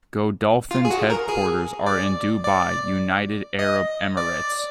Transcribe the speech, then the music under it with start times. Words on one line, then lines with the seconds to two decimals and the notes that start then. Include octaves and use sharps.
Godolphin's headquarters are in Dubai, United Arab Emirates.
0.71 F4
0.85 G#4
0.90 F#4
1.10 A#4
1.29 G#4
1.86 D5
2.44 D5
3.59 D#5
4.17 D5